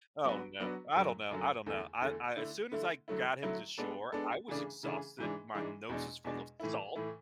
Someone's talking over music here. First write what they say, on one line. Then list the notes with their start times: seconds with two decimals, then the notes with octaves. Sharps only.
Oh, no. I don't know, I don't know, I uh, as soon as I got him to shore, I was exhausted, my nose is full of salt,
0.25 F#3 B3 D4 F#4 B4
0.60 F#3 B3 D4 F#4 B4
0.96 F#2 D3 F#3
1.31 F#2 D3 F#3
1.66 E2 D3 A3
2.01 E2 D3 A3
2.37 D3 A3 E4
2.72 D3 A3 E4
3.08 D3 F#3 A3 E4
3.43 D3 F#3 A3 E4
3.78 G#3 B3 D4 A4
4.12 G#3 B3 D4 A4
4.48 C#3 E3 A3 D4 G#4
4.83 C#3 E3 A3 D4 G#4
5.18 G#2 E3 G#3 D4
5.54 G#2 E3 G#3 D4
5.89 E2 B2 G#3 D4
6.24 E2 B2 G#3 D4
6.60 A2 E3 A3 E4
6.95 A2 E3 A3 E4